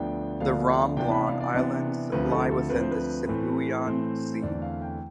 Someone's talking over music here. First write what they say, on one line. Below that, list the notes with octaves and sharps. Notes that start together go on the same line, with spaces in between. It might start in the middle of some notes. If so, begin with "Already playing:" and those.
The Romblon Islands lie within the Sibuyan Sea.
Already playing: D2 D3 F3 B3 D4 G5
D2 D3 F3 B3 D4 F5
C3 E3 B3 D4 G5
B5
F5
D5
C3 E3 B3 D4 D5
D2 D3 F3 C4 B4
G4
A4
A4
D2 D3 F3 C4 B4
C5
B4
A2 E3 A3 C4
A2 E3 A3 C4 C5
E2 D3 A3 C4 D5
F5
G5